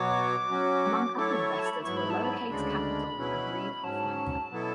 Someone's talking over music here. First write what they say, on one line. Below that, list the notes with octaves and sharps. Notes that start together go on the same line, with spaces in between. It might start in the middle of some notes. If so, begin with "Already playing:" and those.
Among other investors were Lowercase Capital and Reid Hoffman.
Already playing: B2 F#3 B3 F#4 C#5 D6
F#3 C#4 F#4
F#3 A3 E4 A4 C#5 D6
C#6
C#6
A5
B5
G#2 F#3 B3 E4 C#6
B5
A5
B5
D2 C#3 G#3 D4
B2 F#3 C#4 E4 B4
G#2 F#3 C#4 A5
B2 F#3 B3 E4 A4